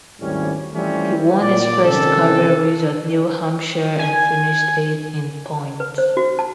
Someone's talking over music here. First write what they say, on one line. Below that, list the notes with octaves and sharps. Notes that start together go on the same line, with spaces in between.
He won his first career race at New Hampshire and finished eighth in points.
G#1 D#2 A2 G3 C#4
E3 F3 G3 A3 C4 C#4
A#2 D5
C3 D#3 C4 C#4 A4
G#5
B4
C5
F#4
A5